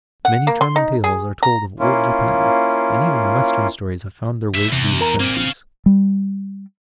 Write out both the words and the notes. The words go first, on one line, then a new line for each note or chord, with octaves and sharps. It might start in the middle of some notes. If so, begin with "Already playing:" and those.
Many charming tales are told of old Japan, and even Western stories have found their way to these assemblies.
F#5
A#3
C6
D#4
G#4
A#5
A#3 C#4 E4 F4
G2 E5
E2 C3
A#4 A#5
A#2 A#3 C4
C#4 F5
G3